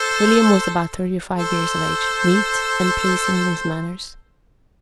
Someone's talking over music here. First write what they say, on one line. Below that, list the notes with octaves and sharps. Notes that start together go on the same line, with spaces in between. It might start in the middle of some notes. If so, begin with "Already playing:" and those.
William was about thirty-five years of age, neat, and pleasing in his manners.
Already playing: A4 C5
A4 C5